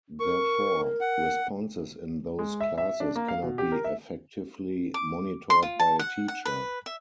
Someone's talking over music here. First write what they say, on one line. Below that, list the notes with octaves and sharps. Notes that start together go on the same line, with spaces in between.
Therefore, responses in those classes cannot be effectively monitored by a teacher.
A#4 C#6
F#5
G#3
E5
E5
D4
A#3
F5
B2
G4
A#4
E5
D6
C6
F4
A5
F#5
F#5
B4
E5